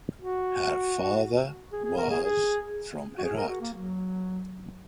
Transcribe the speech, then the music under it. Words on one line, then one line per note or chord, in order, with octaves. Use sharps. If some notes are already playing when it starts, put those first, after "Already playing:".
Her father was from Herat.
F#4
G#4
G#4
A#4
G#4
G#4
F#4
G#4
A#4
F#4
A#3
F#3